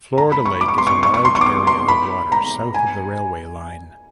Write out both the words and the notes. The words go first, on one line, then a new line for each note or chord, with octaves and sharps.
Florida Lake is a large area of water south of the railway line.
A#5
B5
C#6
D6
C#6
C6
C#6
C#6
C#6
C6
C#6
D6
C#6
C6
B5
A#5
G#5